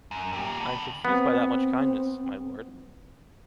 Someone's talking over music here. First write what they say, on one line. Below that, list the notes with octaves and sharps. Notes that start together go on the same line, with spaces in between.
I am confused by that much kindness, milord.
F#2
A#2 G4
D3 B5
B3 C4